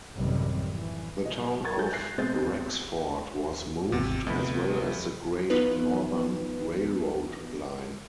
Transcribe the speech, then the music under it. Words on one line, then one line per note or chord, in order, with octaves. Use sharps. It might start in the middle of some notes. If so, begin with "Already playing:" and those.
The town of Rexford was moved, as well as the Great Northern Railroad line.
A1 F#2 A2 C3 D#3 G3
E3
F#1 D#5
A#4 C#6 G#6 A6
F#3 A4 A#4 G6 A6
F#6 A#6 C7
B2 G#3 C4 C5 G6 A6
G#1 E2 C3 A6
D2 C3 F3 B3 D#5 B5
E3 B3 D#4 F4 B4